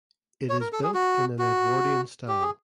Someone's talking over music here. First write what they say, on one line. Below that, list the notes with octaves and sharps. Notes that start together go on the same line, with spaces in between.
It is built in an Edwardian style.
C#5
A#4
A4
G#4
F#4
F#4
G4
G#4